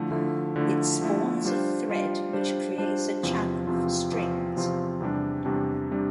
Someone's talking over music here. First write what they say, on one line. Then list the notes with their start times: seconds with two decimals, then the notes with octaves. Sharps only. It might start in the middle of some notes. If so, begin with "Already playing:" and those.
It spawns a thread which creates a channel for strings.
Already playing: D3 F3 A3 E4
0.11 D3 F3 A3 E4
0.56 D3 F3 A3 E4
1.00 D3 F3 A3 E4
1.45 G3 D4 F4 C5
1.89 G3 D4 F4 C5
2.33 G3 D4 F4 C5
2.78 G3 D4 F4 C5
3.23 E2 C3 F3 C4 F4
3.67 E2 C3 F3 C4 F4
4.12 E2 C3 F3 C4 F4
4.56 E2 C3 F3 C4 F4
5.00 E2 C3 G3 D4
5.45 E2 C3 G3 D4
5.91 C3 G3 D4